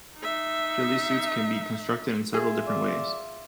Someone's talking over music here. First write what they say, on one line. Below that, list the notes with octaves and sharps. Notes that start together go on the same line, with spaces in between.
Ghillie suits can be constructed in several different ways.
D#4 E5
F4 G#4 E5
D5